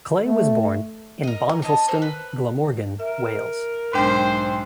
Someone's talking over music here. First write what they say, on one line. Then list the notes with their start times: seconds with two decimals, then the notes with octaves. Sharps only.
Clay was born in Bonvilston, Glamorgan, Wales.
0.25 A3
1.23 A#4 D#5
1.49 A#4
1.62 D4 C#5 D#5 A5
1.88 A4 A#4 C5 G#5
2.02 B4
3.00 A#4 E5
3.93 B1 G#2 G#3 D4 C5 G5 C6